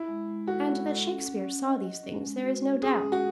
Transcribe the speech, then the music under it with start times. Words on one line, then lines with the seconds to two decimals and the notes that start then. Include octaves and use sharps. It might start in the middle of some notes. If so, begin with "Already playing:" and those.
And that Shakespeare saw these things there is no doubt.
Already playing: E4
0.08 G#3
0.28 G#3
0.47 F#4 A4
0.67 G#3
0.87 A4
1.06 C#4
1.25 C#4
1.44 C#4
1.65 D#5
1.84 D#5
2.03 C#4
2.23 G#3
2.42 F#4
2.63 C#4
2.82 C#4 G#4
3.02 G#3
3.12 F#4